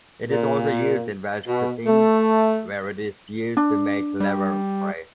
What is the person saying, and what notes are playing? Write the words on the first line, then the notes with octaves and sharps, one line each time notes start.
It is also used in Welsh cuisine, where it is used to make laverbread.
A#2
B2
A3
D4
G3